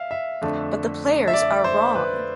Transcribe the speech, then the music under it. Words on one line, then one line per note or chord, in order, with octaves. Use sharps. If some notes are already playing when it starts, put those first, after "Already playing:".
But the players are wrong.
Already playing: E5 F5
E5
F2 D3 A3 D4
E5
D5
C5
B4